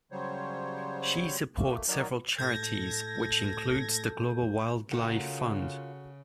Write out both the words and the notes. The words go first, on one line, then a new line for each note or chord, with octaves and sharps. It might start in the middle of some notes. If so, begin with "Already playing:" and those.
She supports several charities, which includes the Global Wildlife Fund.
C#3 F#3 G3 C5 C#5
A3 A#3
D#3 F#3 D#4 A#4 C#5 D5
A2 A4 G6 G#6 A#6
C#3 F4 F#4 A4 A#4 F#5